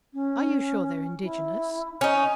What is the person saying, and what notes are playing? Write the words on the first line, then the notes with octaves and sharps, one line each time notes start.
"Are you sure they're indigenous?"
C#4
E4
C#4 D#4